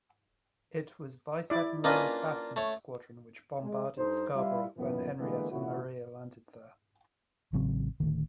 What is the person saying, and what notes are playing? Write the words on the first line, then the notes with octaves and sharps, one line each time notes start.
It was Vice-Admiral Batten's squadron which bombarded Scarborough when Henrietta Maria landed there.
E4 D5
A#3 C#4 D4 F4 B4 D#5
A3 C#5
G#3
G2 D#4 A4 C5
G3 E4 F4
F#2 A#2 D#3 E3 B3
D3 E3 G3 G#3 A#3 B3
A#2 C#3 E3 E4 F#4
A1 C#3 F#3 C4
D1 D2 D#3